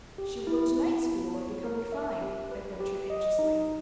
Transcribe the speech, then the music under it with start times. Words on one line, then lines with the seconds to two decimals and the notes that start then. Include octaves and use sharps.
"She will go to night school and become refined?" I ventured anxiously.
0.18 G4
0.47 E4
0.76 B4
1.06 B3
1.34 C#5
1.64 A#4
1.92 E5
2.22 G4
2.51 B4
2.80 G4
3.10 D#5
3.39 D#4